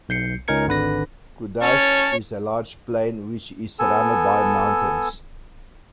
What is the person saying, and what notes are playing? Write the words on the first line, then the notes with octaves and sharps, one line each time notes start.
Kuhdasht is a large plain which is surrounded by mountains.
B1 G6 C7 C#7
C#2 C#4 D#4 A#4 G#6 C#7
G#1 D3 B4 A#6
C#4 C#5 A5
B3 A4 G#5 E6